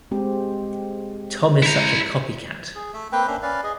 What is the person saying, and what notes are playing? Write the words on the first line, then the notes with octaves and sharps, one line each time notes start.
Tom is such a copycat.
G#3 C4 G4
E4 A#5
G#4
A3 E5
A#3 C4 B4 G5
A#3 C#4 D4 E5
C#4 B4 D5 F5
G#4 D#5